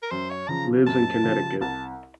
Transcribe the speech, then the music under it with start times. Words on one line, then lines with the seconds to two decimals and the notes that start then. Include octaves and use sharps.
Lives in Connecticut.
0.02 A#4
0.11 F#2 C5
0.30 C#5
0.48 C#3 F3 A#5
0.86 F#2 A5
1.24 C#3 F3
1.61 C2 A5